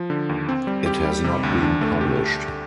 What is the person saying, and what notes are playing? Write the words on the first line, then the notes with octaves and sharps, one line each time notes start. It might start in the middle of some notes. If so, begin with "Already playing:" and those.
It has not been published.
Already playing: F3
D3
D#2
C4
G3
G4
G3
C3
D2
D4
A3
G4